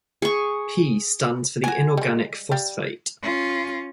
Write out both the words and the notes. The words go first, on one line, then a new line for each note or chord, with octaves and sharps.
P stands for the inorganic phosphate.
G#4 C#6
F#4 G#5
G3 G#3
G3 G4 F5
C#4 F4